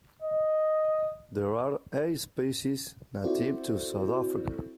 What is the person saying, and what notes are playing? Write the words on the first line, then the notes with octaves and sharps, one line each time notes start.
There are eight species native to South Africa.
D#5
C4 E4 F#4 A4 C5 D5